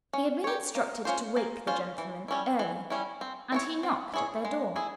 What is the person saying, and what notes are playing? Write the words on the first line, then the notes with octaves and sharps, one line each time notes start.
He had been instructed to wake the gentlemen early; and he knocked at their door.
C#4
G4 C#5
A#3
C#4 F4 C5
A#3
C#4 F4 C5
E3
G3 C#4 E4
E3
G3 C#4 E4
C4
E4 G#4 C#5
C4
E4 G#4 C#5
G#3
E4 G#4